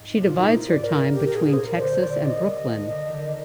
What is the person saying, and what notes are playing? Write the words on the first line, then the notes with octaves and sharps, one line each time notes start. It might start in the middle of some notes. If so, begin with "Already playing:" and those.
She divides her time between Texas and Brooklyn.
Already playing: G#2
C3
A#2 F4
D#4
C3
F4
G#2 D5
A#4
A#2 G4
A#4
A#2 G#4
C5
A#4
D5
D3 C5
C3
A#2 D5
C3 D#5
C3
D3
D3
D#3
D3
D3